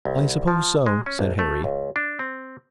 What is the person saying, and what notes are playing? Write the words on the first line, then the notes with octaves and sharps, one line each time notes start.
"I suppose so," said Harry.
C2
F3
G#3
C#4
A#1
A3
C#2
D4
C4